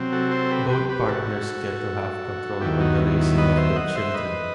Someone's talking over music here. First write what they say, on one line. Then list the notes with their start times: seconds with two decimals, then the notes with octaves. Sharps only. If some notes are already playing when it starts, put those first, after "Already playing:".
Both partners get to have control on the raising of their children.
Already playing: C3 F#3 C4
0.12 F#4 A4
0.31 A4 C5
0.51 G4 B4
0.70 G4 B4
0.89 G4 B4
1.08 F#4 A4
2.61 D#2 D#3 F#3 B3 E4 G4
2.80 D#4 F#4
3.00 E4
3.19 E4
3.38 B4 D#5
3.57 C5 E5
3.76 D#5 F#5
3.95 C5 E5
4.14 B4 D#5